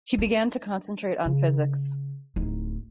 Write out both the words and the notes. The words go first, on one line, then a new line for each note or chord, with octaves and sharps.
He began to concentrate on physics.
D4
C#3
D1 D#4